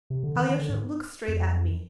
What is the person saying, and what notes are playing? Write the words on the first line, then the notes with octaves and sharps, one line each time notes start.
Alyosha, look straight at me!
C3
D3
D#3
D#3
D3
G#2
F2